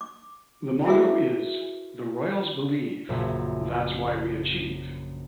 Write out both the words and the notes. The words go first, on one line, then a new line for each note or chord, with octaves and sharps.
The motto is "The Royals Believe That's Why We Achieve".
D6
E4 F#4 G#4 A#4 B4 E5
A#1 F#2 A#2 C#3 E5